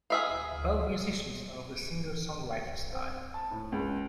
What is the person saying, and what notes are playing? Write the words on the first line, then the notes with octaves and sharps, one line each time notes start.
Both musicians are of the singer-songwriter style.
G#4 E5 F5
C4
A5
A2
C#2